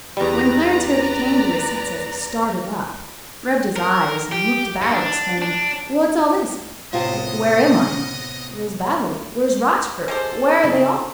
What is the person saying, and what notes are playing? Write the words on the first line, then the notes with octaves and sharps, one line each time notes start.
When Clarence Hervey came to his senses he started up, rubbed his eyes, and looked about, exclaiming--"What's all this?--Where am I?--Where's Baddely?--Where's Rochfort?--Where are they all?"
E2 G3 B4 D5 A#5
A#4
G4
G2
D4
D4
A2 C3 B3 F4 D#5 A5
G#3 G4 A4 C5
C#3